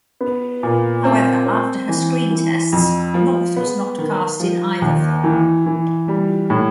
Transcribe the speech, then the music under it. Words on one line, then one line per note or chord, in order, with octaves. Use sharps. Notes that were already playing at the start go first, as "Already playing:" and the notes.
However, after her screen tests, North was not cast in either film.
B3
A#2
C4
C4
E3
E3
F2
F3
B3
D#3
F3
D#2
E3
E3
G3
A2